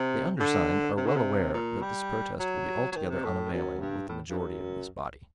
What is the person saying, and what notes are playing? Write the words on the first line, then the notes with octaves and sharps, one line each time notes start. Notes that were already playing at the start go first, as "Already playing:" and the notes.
The undersigned are well aware that this protest will be altogether unavailing with the majority of this body.
Already playing: C3
D3
C3
D3
C3
A#2
G3
F#3
F#3
D#3
C3
A2
F#2
G2
A2
G2
F#2